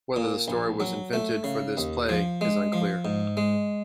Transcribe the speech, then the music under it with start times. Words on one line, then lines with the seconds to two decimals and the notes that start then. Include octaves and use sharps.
Whether the story was invented for this play is unclear.
0.16 A#2
0.48 A#1
0.80 F#3
1.13 A3
1.44 C#3
1.77 D#2
2.09 F3
2.41 G#3
2.73 F3
3.05 G#2
3.37 G#3